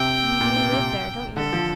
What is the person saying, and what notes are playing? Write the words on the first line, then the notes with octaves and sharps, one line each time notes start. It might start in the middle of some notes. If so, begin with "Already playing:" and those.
You do live there, don't you?
Already playing: C3 G5
A#2
C3
C3
D3 A4
F3